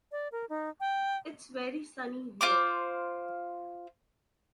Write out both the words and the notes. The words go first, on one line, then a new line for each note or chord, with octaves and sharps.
It’s very sunny here.
D5
A#4
D#4
G5
F4 C5 D6